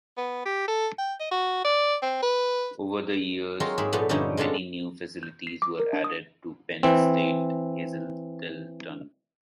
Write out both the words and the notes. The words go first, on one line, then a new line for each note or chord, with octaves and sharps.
Over the years, many new facilities were added to Penn State Hazleton.
B3
G4
A4
G5
D#5
F#4
D5
C4
B4
F#3 G#3 C4 F4 A#4 C#5
G#2 A#3 G#4 E5 B5
A#2 F3 A3 B3
G2 D3 F3 C#4 D#4 E4
G#3 B3 D4 F4 A4
G6
C7
D6
A#4
D4
D#6
E3 C4